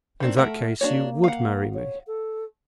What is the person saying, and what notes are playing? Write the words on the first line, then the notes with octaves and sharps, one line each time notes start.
"In that case you--would marry me?"
D#3 C4 D4
A3 A#4 E5 F#5
A#3 D4 F#4 C#5
F5 F#5
C#5
A4